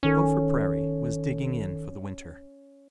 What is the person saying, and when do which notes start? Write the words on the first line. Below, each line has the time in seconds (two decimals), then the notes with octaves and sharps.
GOPHER PRAIRIE was digging in for the winter.
0.03 G1 D#3 C#4 A4